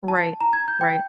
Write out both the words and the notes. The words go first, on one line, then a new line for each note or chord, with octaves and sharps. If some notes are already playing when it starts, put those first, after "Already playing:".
Right. Right.
A5
A#5
G#6
G6
G5